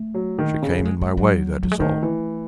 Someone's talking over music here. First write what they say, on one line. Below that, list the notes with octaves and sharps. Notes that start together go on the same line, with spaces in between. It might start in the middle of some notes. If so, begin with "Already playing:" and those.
She came in my way, that is all.
Already playing: A3
F#3
D#3
C#3
A3
G#3
G#3
F#3
F#3
G#3
D#3 A3
E3